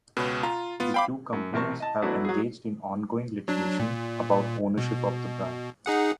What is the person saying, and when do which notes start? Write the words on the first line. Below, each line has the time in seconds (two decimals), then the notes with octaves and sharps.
The two companies have engaged in ongoing litigation about ownership of the brand.
0.17 C#2 B2 B4 C#5
0.43 F4 A#5
0.80 B3 F4
0.94 C5 E5 F5 G5 B5 D6
1.33 F#2
1.53 A1 C3 C4 A#4 A5 C#6
1.80 D#5 A5
2.02 F#3 A3 B3 D4 E4 F#4
2.25 F#3 G#4
3.48 F#3 D4
3.80 A#2
4.78 B2
5.86 D#4 G#4 F#5